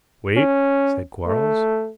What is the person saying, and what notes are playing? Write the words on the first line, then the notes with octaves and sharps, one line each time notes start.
"Wait," said Quarles.
C#4
A3